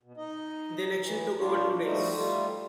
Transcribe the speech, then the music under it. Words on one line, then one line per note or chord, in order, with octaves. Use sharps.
The election took over two days.
B2
D#4 D#5
E3
A#2 D4 F4 C#5
F3 G3 A3 D#4 F#4
G3 A3 F4